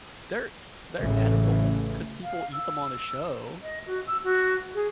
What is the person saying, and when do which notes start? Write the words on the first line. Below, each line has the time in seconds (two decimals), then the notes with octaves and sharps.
they're they're edible 'cause people eat them on the show.
1.00 A1 A2 C#3 E3
2.23 F5
2.52 E6
3.62 D#5
3.86 F#4
4.06 E6
4.24 F#4
4.74 G#4